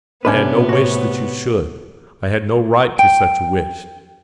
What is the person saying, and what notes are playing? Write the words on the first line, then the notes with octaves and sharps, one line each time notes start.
I had no wish that you should; I had no right to such a wish.
A2 C3 B3 C#4 D4 B4
F#4 C#5
G5